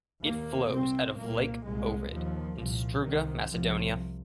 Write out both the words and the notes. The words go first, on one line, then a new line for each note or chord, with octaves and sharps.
It flows out of Lake Ohrid in Struga, Macedonia.
D#2 A#3
C2 C3 C4
C2 A#2 A#3
C2 A#2 G#3
D#2 F3
C2 A#2 F3
C2 C3 D#3
C2 C3 F3